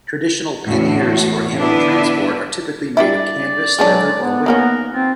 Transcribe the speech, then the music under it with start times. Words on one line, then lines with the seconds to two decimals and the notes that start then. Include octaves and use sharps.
Traditional panniers for animal transport are typically made of canvas, leather, or wicker.
0.65 E2 A2 F#4
1.58 D3 B3 D4 E4 B4
2.97 G3 D4 E4 D5
3.79 F#3 G#3 C#4 D4
4.18 B3
4.46 D#3 A#3 B3 C#4 A#4
4.93 C4 F4